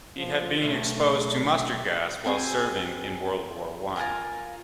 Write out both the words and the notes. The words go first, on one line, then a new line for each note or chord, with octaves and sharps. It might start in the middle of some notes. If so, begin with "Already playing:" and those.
He had been exposed to mustard gas while serving in World War One.
F3
B1 A3
C4 F#4 G#4
F4 A#4 G#5 A#5